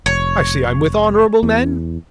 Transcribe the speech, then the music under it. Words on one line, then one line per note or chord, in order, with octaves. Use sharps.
I see I'm with honorable men.
F1 C#5
E2